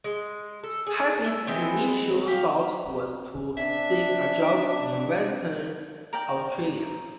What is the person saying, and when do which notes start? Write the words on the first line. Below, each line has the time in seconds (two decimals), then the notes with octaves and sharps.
Hafey's initial thought was to seek a job in Western Australia.
0.04 G#3
0.63 A4
0.87 G#4
1.24 E5
1.47 E3 G#3 B3 C4
2.27 G4 F5
3.57 C4 D4 E5
6.13 A#4 D5 G5